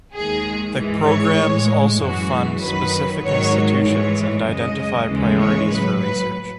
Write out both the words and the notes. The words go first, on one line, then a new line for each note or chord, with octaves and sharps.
The programs also fund specific institutions and identify priorities for research.
D#2 D#3 G#3 G#4
G#2 E3 G#3
C#5
A2 G#3
F#2 E3 G#3 F#4
F#2 D#3 F#3 B4
G#2 D#3 F#3 C#5
G#2 E3 G#3 C#5
F#2 C#3 G#3 D#5
D#2 C#3 E3 G#3
C#5
A2 F#3 B4
B4